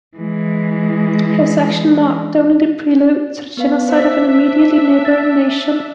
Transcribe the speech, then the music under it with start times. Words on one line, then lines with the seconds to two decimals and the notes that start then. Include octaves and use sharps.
His action marked only the prelude to the genocide of an immediately neighboring nation.
0.17 E3 G#3
3.57 B3 B4 F5
3.89 D4 C5 E5
5.05 A6